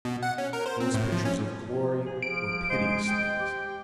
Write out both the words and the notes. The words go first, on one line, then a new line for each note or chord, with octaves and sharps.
Those pictures of glory were piteous things.
B2
F#5
C#4
A#4
C5
C4
A2
F3
C#4
F3
G#4
F3 D7
G#3 C5
G5
G4